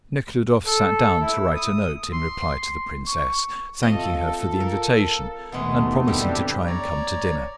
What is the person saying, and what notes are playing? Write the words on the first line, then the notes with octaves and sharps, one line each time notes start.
Nekhludoff sat down to write a note in reply to the princess, thanking her for the invitation, and promising to try and come to dinner.
A4
E4
D#6
C6
C#6
C4 F4 A4 D#5 E5
A#4
D#2 B2 E3 G#3 A3 B3
D3 G3 C4 D4 E4 G4
C#5 D5 A#5